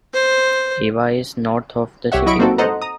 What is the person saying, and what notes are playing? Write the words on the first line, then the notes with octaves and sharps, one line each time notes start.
Ava is north of the city of Rome.
C5
C2 G4 C#5 E5 F#5
F#3 E4 D#5 B5 C#6 D7
A#3 C4 D#4 F#4 A4
A4 C5 D#5 F#5 A#5
A#5 D#6